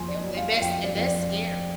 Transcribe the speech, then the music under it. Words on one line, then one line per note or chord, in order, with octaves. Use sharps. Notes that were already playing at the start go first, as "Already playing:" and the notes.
and when that's and that's scary.
Already playing: F2 F3 A#3 G#5 C6
D5
D#5
F3
F5
F2 G5
D5
F2
D5